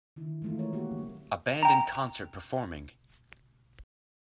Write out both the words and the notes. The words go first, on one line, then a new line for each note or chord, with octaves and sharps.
A band in concert performing.
D3 D#3 E4
E3 G#3 A3 D#4 F4
A#4 C#5
A#3 F#4 G4
D3 F#3 C4
G5 A#5